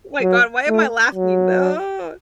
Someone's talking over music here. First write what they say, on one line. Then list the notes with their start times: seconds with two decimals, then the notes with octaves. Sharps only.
my god, why am I laughing? No,
0.22 F#3
0.69 A3
1.15 F#3